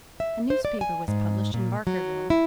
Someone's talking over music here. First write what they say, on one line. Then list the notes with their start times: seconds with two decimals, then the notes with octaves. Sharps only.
A newspaper was published in Barkerville.
0.20 E5
0.50 C5
0.65 D5
0.81 G#5
1.08 G#2
1.54 A#2
1.87 F#3
2.30 E4